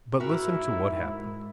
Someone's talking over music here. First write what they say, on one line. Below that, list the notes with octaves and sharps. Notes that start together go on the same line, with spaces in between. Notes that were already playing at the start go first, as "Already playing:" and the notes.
But listen to what happened.
G#2 E4 F#4 A#4 E5